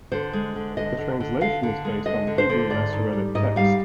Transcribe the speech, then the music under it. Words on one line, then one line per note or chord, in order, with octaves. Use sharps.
The translation is based on the Hebrew Masoretic text.
D3 C5
G#3
D3
D3 D#5
D3
D3
D3 F5
D3
G#3
D3 D#5
D3
C5
D3
G#2 D5
G#2
G3
G#2 D#5
G3 F5